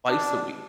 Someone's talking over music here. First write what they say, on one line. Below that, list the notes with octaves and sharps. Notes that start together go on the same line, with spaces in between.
twice a week,
D4